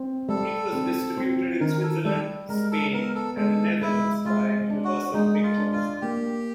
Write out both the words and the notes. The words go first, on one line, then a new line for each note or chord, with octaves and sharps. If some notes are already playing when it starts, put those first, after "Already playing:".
It was distributed in Switzerland, Spain, and the Netherlands by Universal Pictures.
Already playing: C4
G3 A4
C4
C4
D#3 A#4
A#4
A4
G3 A4
G#3 A#4
A4
B3 A#4
A4
G#3 A4
G#3 E4
G#3 F4
D4
F#4
G#3 D#4
F4
D4
F4
A#3 G4